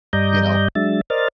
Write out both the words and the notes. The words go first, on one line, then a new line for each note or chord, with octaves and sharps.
you know,
G2 G3 D5 D#5 A#5 G6
F#3 G#3 D4 E5 A6
A#4 C5 D5 D#5 F6 A6